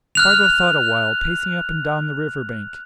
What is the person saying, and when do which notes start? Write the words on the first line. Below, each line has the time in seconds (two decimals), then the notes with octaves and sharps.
Spargo thought awhile, pacing up and down the river bank.
0.15 F6 F#6 F7